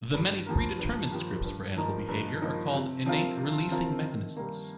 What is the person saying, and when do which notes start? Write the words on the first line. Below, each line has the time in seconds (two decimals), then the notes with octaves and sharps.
The many predetermined scripts for animal behavior are called innate releasing mechanisms.
0.14 G2
0.46 F3 A#3 G4 A#4
0.79 G2
1.12 F3 A#3 G4 A#4
1.44 G2
1.77 F3 A#3 D#4 A#4
2.08 G2
2.42 F3 A#3 D#4 A#4
2.73 C3
3.06 F3 C4 F4 A#4
3.38 C3
3.71 F3 C4 F4 A#4
4.03 D#3
4.37 G3 A#3